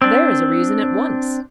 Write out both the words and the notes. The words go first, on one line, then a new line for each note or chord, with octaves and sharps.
There is a reason at once.
C4 D4